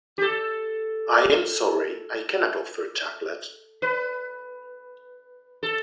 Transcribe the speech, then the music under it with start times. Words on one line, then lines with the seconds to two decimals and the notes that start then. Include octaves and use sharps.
I am sorry I cannot offer chocolate.
0.18 G4
0.22 A4
3.82 B4
5.63 A4